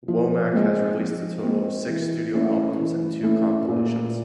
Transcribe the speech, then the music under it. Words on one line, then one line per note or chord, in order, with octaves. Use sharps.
Womack has released a total of six studio albums and two compilations.
F3
G#3 C4
F3
G#3 C4
E3
A3 C#4 E4
E3
A3 C#4 E4
A#2